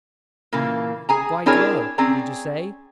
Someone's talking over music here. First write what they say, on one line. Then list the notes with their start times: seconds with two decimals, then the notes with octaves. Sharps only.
Quite well, did you say?
0.53 A#2 C#3 E3 A#3
1.09 G#4 G#5 A#5
1.46 C4 D4 E4 G#4 A#4 C#5
1.98 C4 C#4 G#4 D5 A#5